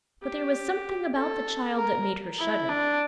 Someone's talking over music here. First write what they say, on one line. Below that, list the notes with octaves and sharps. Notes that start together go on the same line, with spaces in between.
But there was something about the child that made her shudder.
G4
A4
A#4
E4
D4